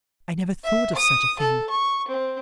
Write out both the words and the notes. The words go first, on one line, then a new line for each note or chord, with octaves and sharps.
'I never thought of such a thing.'
E5
D#6
A4
C#6
C4